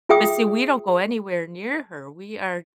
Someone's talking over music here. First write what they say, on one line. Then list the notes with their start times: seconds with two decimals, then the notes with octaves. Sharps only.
But see, we don't go anywhere near her. We are
0.09 F4 G#4 E5 G5 D6 D#6